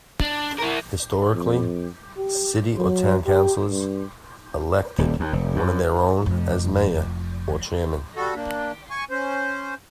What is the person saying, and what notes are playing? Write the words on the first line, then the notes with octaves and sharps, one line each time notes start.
Historically, city or town councillors elected one of their own as mayor, or chairman.
D4
E4 A#4
F2
G4
F#3
G4
G2
D#1
D#2
F1
F#2
F1 F2
G3 F#4 A4
A#3 D4
G#5 C#6
C#4 C5